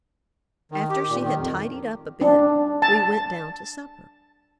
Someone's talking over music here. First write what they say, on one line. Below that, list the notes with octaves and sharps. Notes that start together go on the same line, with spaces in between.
After she had "tidied up a bit" we went down to supper.
D#3
G4
A#2
D#3
F2
D4
A5